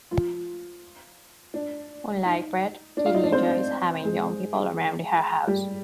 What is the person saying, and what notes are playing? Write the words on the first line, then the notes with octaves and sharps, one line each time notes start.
Unlike Red, Kitty enjoys having young people around her house.
F3 F4
D4
D#4
D4 D5
F4 F5
D#4 D#5
D4 D5
C4 C5
G#3 G#4
G3 G4